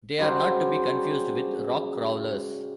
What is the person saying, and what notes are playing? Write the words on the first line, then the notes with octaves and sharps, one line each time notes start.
They are not to be confused with "Rock Crawlers".
C#3 F#3 G3 C5